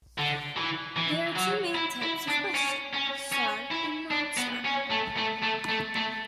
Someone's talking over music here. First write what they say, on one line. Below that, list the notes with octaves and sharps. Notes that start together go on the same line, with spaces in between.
There are two main types of question-Starred and non-starred.
D3
E3
E3
F#3
E4
E4
D4
C#4
C#4
C#4
E4
D4
B3
C#4
A3
A3
A3
A3
A3